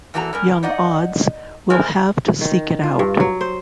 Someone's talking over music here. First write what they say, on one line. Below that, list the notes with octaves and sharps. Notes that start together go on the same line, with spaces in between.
Young auds will have to seek it out.
E2 E3 A#3 F#4 A4 A#5
G3 C#4 A#4
D#4 D5 D#5 F#5
G3 G#3 C4 E4 G#4 A#4
D#3
F4
G2
F#3
C5